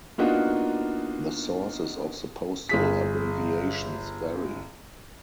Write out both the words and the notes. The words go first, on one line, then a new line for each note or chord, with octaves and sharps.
The sources of the postal abbreviations vary.
A#3 B3 D4 D#4 F4 F#4
G1 G#4 B6